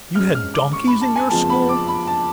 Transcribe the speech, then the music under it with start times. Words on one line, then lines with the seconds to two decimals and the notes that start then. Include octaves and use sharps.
You had donkeys in your school?
0.15 G#2 G#3 C#4 F6
0.35 F6
0.54 D6
0.73 C#6
0.87 B5
1.02 A5
1.16 G#5
1.31 F#1 F2 F3 G#3 B3 A5
1.50 B5
1.69 D6
1.88 B5
2.07 A5